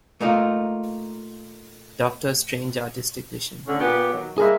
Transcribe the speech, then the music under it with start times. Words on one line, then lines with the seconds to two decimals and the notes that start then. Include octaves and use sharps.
Doctor's strange artistic vision.
0.21 A3 A#3 D#4 F4
3.66 A2 D3 C#4
3.79 A#2 B3 G4
4.12 D#3 F#3
4.38 G3 G#3 A#3 G#4 A#4 E5